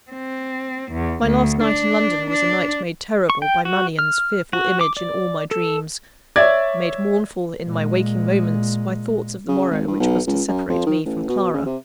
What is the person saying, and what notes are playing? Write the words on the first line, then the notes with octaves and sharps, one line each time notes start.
My last night in London was a night made terrible by Mannion's fearful image in all my dreams--made mournful, in my waking moments, by thoughts of the morrow which was to separate me from Clara.
C4
E2
D2
D4
D4
C#6
G5
F#4
F6
F#4
D6
D5
A4
C#5 D5 E5 G#6
A#2 G#3
C#3
G#1
G2
B1
C#2
F#2
F2
D#3
A1
B2
C#3
C3